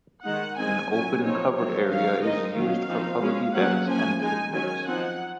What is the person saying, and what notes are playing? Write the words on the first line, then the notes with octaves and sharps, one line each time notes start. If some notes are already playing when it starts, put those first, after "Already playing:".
An open, covered area is used for public events and picnics.
D#3 G#3 D#4 F#5
G#3 C4 D#4 G#5
F#3 C#4 G#5
F3 C4 D#4 C#5
D#3 F#3 C4 C#5
D#3 F#3 C#4 F5
D#3 G#3 C4 D#4 D#5
D#3 F#3 C#4 F5
F3 C4 D#4
G#3 C#4
F#3 A#3 C#4 F#5
F3 A#3 C#4 G#5
G#3 D#4 G#5
D#3 F#3 C#4 G#5
F3 C4 D#4 F#5